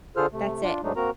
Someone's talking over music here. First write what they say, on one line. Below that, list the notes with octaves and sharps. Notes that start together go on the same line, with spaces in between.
that's it.
D3 F4 G#4 A4 C5 F6
C3 A3
D4 F4
G#2 F#3 G#3 A3 D4 D#4
A#3 C4 F#4 A#4 A#5